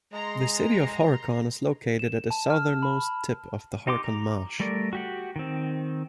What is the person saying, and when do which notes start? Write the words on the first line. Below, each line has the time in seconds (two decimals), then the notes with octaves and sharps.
The city of Horicon is located at the southernmost tip of the Horicon Marsh.
0.12 G#3 A#5 C6
1.99 E7
2.31 A5
2.50 F6
2.83 B5
3.87 D#4 G4 C6 D6
4.04 A#5
4.60 G3 A3 A#4 D5
4.93 F#4 G4 F#5
5.36 D#3 C4